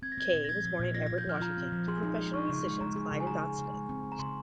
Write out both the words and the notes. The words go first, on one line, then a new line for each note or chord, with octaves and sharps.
Kaye was born in Everett, Washington, to professional musicians Clyde and Dot Smith.
C4 G#6
A#6
C4 G#6
A#2
A#6
F3 G#6
F3
A#2
F4 A#6
A#6
A#2
G6
F3 F6
F4 A#5
C4
F3
G#4 C6
D#4
G#3
D#4 C#6
C#3
G#3
G#3 A#5
G#4
C#3
G#5
G#3 A#5
G#4
C#3
G#3
C4
C4
A#5
C#3 C6